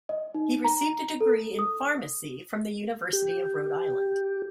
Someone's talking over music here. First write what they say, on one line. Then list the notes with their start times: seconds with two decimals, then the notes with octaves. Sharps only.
He received a degree in Pharmacy from the University of Rhode Island.
0.09 D#5
0.34 D#4
0.64 A#5
1.21 A4
1.59 D#6
3.13 G4